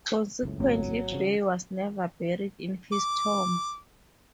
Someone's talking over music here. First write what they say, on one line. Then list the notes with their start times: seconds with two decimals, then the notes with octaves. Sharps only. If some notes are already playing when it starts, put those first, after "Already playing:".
Consequently, Bay was never buried in his tomb.
0.43 F#1 C#2 A2
0.60 G#1 F#3 A#3 C4
1.12 C#3 F3
2.92 D6